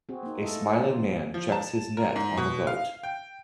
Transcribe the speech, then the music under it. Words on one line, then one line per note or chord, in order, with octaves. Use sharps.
A smiling man checks his net on the boat.
C4 F#4 G#4
A#3 D#4
A3 E4 A4 D#5
A#3
D#3 C5 D5
F3 D4
F3
A5
A#4
G#2
B2
F5
G5